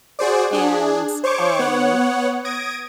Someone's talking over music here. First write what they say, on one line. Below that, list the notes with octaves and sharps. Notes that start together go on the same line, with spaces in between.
And, um,
F#4 G#4 C5 D5
D4 G#4
C5 C#5 C#6 D6
B3 C#5 F#5
D#6 G#6 A#6 D7